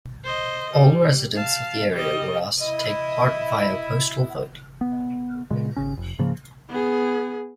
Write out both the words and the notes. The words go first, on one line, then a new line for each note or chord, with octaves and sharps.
All residents of the area were asked to take part via a postal vote.
C5 D#5
G3
F5 A5
G3 D#5
E4 D#5
B3
A#2 C#3 G#3
G#1 C#3 C#4
F1
G#2 C#3 F3 A#3
B3 G#4